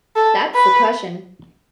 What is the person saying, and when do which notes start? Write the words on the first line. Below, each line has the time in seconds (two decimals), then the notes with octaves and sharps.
That's the cushion.
0.16 A4
0.55 B4